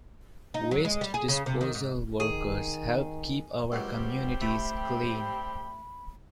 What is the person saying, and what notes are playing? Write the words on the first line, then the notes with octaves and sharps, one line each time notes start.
Waste disposal workers help keep our communities clean.
D#4
F#3
G#3
G3
G#4
C#3
C3
D#3
G#2
D#3 G#4
C#2 F#2 F#3 G3 C4 G4
A3 E5 B5